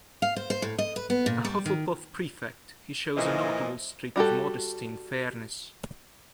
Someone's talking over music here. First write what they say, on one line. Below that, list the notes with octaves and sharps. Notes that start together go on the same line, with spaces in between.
A Hufflepuff prefect, he shows a notable streak of modesty and fairness.
F5
C5
C5
A2
D#5
B4
B3
A#2
G3
D#3
A#2 E3 F3 E4 D#5
G3 F#4 G4 A4